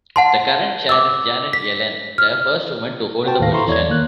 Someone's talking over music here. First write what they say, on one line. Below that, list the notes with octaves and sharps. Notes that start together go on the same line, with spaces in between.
The current chair is Janet Yellen, the first woman to hold the position.
F#5 A5 C6
D6 E6
B6
F6
F#4 B4 C5 G5 A5
D#2 A2 D#3 A4 F5 A#6
E4 A4 A#5 C6 C#6
E2 C#5 D5 G#6
D#3 A#3 F#6